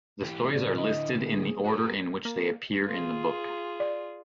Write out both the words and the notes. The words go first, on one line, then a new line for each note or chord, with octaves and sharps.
The stories are listed in the order in which they appear in the book.
E3 G4
A3
A2 C#3 D5
D3 E4 D#5
G#4
F#4 A#4
A#3
F4 G#4
D5